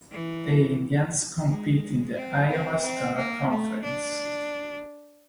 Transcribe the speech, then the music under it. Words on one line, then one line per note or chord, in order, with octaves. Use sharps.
The Indians compete in the Iowa Star Conference.
E3
G#3
C4
C4
C4
A#3
A3
D4